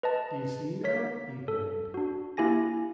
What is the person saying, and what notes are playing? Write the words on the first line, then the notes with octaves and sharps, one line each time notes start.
"D'ye see, now!" he demanded.
B4 D#5 A5
A#4 C#5 B6
A4
D4 F#4
A#3 E4 G4 G#5 A#6